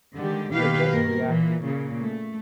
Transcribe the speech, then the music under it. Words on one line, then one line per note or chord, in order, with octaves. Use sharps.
We are just reacting.
D3 D#3 G3 G#3 G4
B2 D#3 A#3 G4 B4 F5
G2 D#3 A#3 A#4
A#2 E3
A#2 C#3
A3